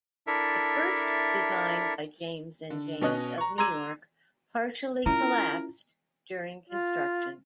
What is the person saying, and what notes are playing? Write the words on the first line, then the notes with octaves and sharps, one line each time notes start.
The first design by James and James of New York partially collapsed during construction.
D4 E4 A4 A#4 E5
D3
B2 C#4 C#5 D#5 F#6
A#5 C#6
A#5 C6 D6 E6 G#6 D#7
C#4 E4 F4 A#4 A#5
F4